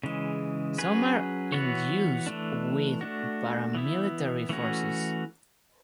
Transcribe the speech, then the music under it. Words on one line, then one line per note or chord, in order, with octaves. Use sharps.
Some are in use with paramilitary forces.
C#3 E3 G#3
F#3 C#4 G#4 B4
E3 B3 F#4 C#5
E3 A3 D4
A3 D4 F#4
E3 B3 E4
E3 A3 C#4 F#4